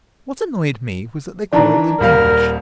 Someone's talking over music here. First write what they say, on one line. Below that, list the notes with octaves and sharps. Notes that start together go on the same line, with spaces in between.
What annoyed me was that they quarrelled in English.
D#3 E3 D4 D5 A5 A#5
D#1 G3 A#4 F5